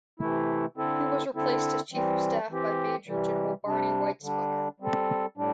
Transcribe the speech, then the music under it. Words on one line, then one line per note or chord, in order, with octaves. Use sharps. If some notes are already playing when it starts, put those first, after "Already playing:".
He was replaced as Chief of Staff by Major General Barney White-Spunner.
C3 E3 A3 E4
D3 C4 E4 A4
D3 C4 E4 A4
E3 G3 C4
E3 C4 G4
C3 E3 G3
C3 G3 D4
D3 G3 D4
G3 C4 A4
A2 G3 D4